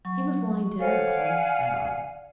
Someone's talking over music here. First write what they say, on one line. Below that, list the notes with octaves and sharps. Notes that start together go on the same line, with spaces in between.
He was lying dead upon the stone.
F#3 C#6
A4 C5 C#5 F5 F#5 G#5
D5